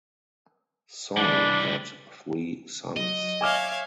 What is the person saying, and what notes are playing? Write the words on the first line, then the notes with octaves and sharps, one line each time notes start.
Song had three sons.
E3 G3 D4
F#3 D#5
C#5 E5 F5 G#5 D6 F6